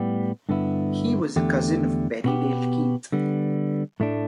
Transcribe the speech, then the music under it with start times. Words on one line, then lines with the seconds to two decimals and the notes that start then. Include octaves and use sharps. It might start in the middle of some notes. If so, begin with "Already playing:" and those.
He was a cousin of Berriedale Keith.
Already playing: A2 G3 B3 G4
0.49 G2 D3 B3 E4
1.36 E2 D3 A3 G4
2.24 B2 B3 G4
3.12 D3 G3 B3
4.00 A2 A3 D4